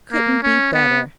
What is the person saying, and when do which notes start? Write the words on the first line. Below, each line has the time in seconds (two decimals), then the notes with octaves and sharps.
'Couldn't be better.'
0.12 A#3
0.42 C#4
0.73 B3